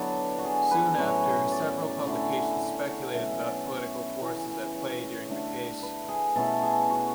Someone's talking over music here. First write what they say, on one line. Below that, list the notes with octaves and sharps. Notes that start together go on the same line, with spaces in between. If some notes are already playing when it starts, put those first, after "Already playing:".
Soon after, several publications speculated about political forces at play during the case.
Already playing: D3 F#3 B3 D4 E4
F#4
G#4
B4
A2 F#3 C#4 E4 C#5
D5
D3 A3 C#4 E4
G#5
F#5
B2 F#3 A3 C#4 E5
D5
C#5
B4
C#3 E3 B3 E4
C#5
D3 A3 D4
B4
G#4
B2 A3 C#4 E4 A4
G#4
F#4